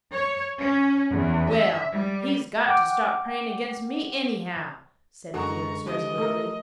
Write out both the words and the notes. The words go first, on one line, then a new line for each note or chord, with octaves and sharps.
"Well, he's got to stop praying against me, anyhow," said Felix resolutely.
C#5
C#4
E2
E5
G3
F#5 G5 D6
F#2 D3 G#3 F#4 A#4 A#5 C#6
F3 F4 G4 D#5
A3 A4 A#4